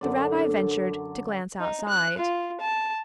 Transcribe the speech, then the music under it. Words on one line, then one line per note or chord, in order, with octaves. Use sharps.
The rabbi ventured to glance outside.
F#2 D3 D5
D#4
F#6
F4
A5